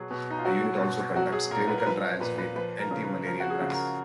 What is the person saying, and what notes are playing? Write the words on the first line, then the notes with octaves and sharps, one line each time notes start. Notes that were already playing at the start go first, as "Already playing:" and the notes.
The unit also conducts clinical trials with antimalarial drugs.
Already playing: B2 F#3 G#4
B2
D#4
F4
F#3 F#4
B2
F#3 F#4
G#4
A#2 A#4
B4
A#4
F3 B4
A#2 B4
B4
F3 B4
A#4
C#3
B4
F3 A#4
F#4
G#4
C#3
A#4